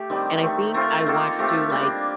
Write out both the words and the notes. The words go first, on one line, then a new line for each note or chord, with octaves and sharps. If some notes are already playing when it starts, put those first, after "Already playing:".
and I think I watched through, like,
Already playing: A3 G4
D#3 G3 C4
D#3 A3 C4
A3 C4 F4 A#4
D#3 A#3 F4 A4
A3 C4 G4
G3 A#3 D4